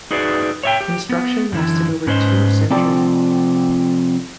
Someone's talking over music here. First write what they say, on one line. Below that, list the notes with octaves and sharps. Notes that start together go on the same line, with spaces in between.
Construction lasted over two centuries.
D#4 F#4 G#4 B4 D5 E5
C#5 E5 G5
G4
B3
F#2 D3 E3 E4
G#2 C#4 B4 C5 D#5
C3 F3 A4 D5